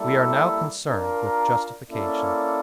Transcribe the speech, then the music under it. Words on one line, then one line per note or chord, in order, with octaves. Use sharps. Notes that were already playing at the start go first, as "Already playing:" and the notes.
We are now concerned with justification.
Already playing: G3 A#3 E4 A4 E5
D4 F4 A#4
A#3 C#4 E4 A4 D5